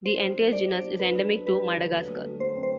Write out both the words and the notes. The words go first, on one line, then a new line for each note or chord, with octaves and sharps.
The entire genus is endemic to Madagascar.
F#3 C5
D4
F#3
D4 D5
D4
F#3
D4 B4
D4
D4
G3 B4
G4
D3
F#3
A3
F#3
F#3 C5
C4
C5